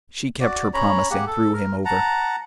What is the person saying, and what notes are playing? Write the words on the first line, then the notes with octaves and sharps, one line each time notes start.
She kept her promise and threw him over.
F#4 D5
C#4 C#5 A#5 B5
A#3 G4 G#4 F#5
A4
A#4
F#5 A5 A#5